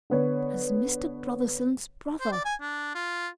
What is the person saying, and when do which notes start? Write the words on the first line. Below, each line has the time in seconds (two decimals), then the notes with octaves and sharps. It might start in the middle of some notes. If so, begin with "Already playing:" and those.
"As Mr. Brotherson's brother."
0.10 D3 B3 C#5
2.20 C5
2.32 D5
2.45 G#5
2.61 D4
2.95 F4